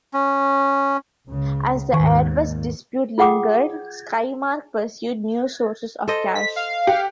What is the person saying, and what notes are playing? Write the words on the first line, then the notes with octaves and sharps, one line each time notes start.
As the Airbus dispute lingered, Skymark pursued new sources of cash.
C#4
C#2 C#3
D#2 G#2 D#3 C#6
F4 G#4 F#5 G5 D6 D#6
A4 C5 D#5
B6
F5
G4 F#5